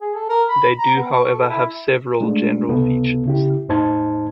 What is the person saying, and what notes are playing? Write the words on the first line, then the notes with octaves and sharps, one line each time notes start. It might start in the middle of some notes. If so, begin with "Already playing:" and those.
They do however have several general features.
G#4
A4
A#4
B5
A#5
B3
C#6
A4
E4
G#3 A3 D4
C#2 C3 B3 A4
C#3 E4 G4
E2 A2 D#4 C5 A5 G#6